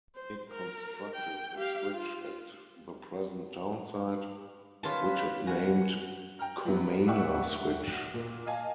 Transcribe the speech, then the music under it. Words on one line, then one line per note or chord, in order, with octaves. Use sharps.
It constructed a switch at the present townsite, which it named Comana Switch.
C5
A#4
G5
G4 F5
F4
D#3 C#4 F4 G4 B4 A5
F#4 A#4 B4 F#5 G#5
G5 A#5 F6
F3 F#3 B3
D5 E5 F#5 G5 C#6
A#2 A#3
D#5 F5 G#5 A5